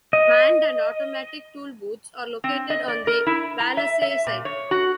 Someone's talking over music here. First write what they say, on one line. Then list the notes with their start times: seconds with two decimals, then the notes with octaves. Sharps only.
Manned and automatic tollbooths are located on the Wallasey side.
0.13 D#5
2.44 C4
2.70 D#5
2.88 D5
3.07 A#4
3.27 E4
3.60 A#5
3.77 E5
4.02 E5
4.27 A#2
4.45 C#5
4.71 F#4